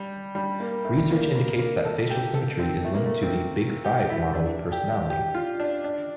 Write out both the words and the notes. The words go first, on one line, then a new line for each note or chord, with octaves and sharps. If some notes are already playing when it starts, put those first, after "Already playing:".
Research indicates that facial symmetry is linked to the 'big-five' model of personality.
Already playing: G3
G3
A#3
A3
A#3
A#3
A#3
A4
G4
A4
C4
A3
A#3
A3
C4
G4
E4
D4
G4
G4
F4
D4
D4